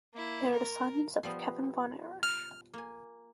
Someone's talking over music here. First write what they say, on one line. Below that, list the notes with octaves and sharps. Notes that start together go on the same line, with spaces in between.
They are the sons of Kevin Von Erich.
A#3 E4
A#4
F3 G3 B3
F6
A#3 G#5